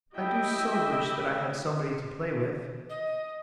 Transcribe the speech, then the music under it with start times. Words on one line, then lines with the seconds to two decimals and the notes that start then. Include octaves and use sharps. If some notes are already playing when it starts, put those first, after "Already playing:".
I do so wish that I had somebody to play with.
0.17 A3 E4 G4 D#5 E5 G5
2.89 D#5